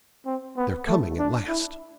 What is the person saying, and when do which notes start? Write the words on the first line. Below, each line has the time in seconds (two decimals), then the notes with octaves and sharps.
'They're coming at last.'
0.26 C4
0.57 B3
0.87 A3
1.18 D4
1.48 E4